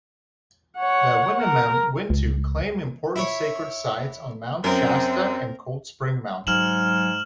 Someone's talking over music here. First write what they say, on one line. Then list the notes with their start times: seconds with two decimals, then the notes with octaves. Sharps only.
The Winnemem Wintu claim important sacred sites on Mount Shasta and Cold Spring Mountain.
0.77 C#5 F#5
1.41 A#4
2.10 C#2
3.16 E4 C#5
4.64 F#2 C4 A#4
6.47 G#2 F#3 F6 E7 F#7